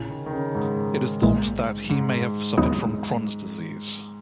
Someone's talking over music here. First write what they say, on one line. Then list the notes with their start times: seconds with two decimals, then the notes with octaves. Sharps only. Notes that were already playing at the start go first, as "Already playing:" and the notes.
It is thought that he may have suffered from Crohn's disease.
Already playing: A#1 A#2 C#3 E4
0.10 D#3
0.26 D#3
0.33 C#3
0.55 G#2
1.22 A#1 A#2 G#3
1.90 G#2
2.57 D#2 C#3 F#3 B3 D#4